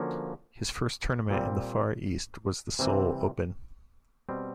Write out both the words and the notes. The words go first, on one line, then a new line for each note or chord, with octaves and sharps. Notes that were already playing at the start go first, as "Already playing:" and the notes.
His first tournament in the Far East was the Seoul Open.
Already playing: D3 F3 A#3 C#4 F#4
A#2 G3 C4
C3 E3 G3 C4
B2 G3 C4